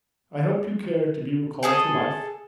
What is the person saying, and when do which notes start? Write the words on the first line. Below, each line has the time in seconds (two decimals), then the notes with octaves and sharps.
"I hope you care to be recalled to life?"
1.63 G#4 A4 D#6